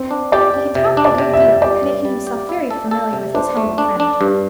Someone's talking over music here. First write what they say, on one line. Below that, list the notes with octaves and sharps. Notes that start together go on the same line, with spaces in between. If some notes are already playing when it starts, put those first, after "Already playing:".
He had talked a good deal, making himself very familiar with his humble friend.
Already playing: C4
D4
G4 D5
G4
C3 E5
D4
D5
C3
E5
G3
G4 D5
G2
G3
G4
E4
A4
A4
C3
D4 C5
A3
A4
D4
D4
G2